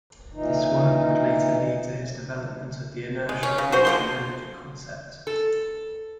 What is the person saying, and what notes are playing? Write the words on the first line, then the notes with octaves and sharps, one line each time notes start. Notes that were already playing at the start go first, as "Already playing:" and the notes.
This work would later lead to his development of the inertial fusion energy concept.
A#2 E3 D#4
G#3
C#4
C#3
F#4 G#4 C5
D3 F3 C6
A4